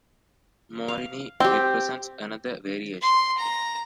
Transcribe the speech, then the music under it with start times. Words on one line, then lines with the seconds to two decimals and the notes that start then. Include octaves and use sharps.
"Morini" represents another variation.
0.88 F5
1.40 C4 G4 G5
3.02 C6
3.38 A#5